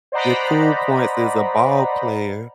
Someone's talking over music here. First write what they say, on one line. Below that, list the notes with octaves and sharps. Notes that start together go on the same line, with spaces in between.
your cool points as a ball player
C5 D5 D#5 F#5 A#5 B5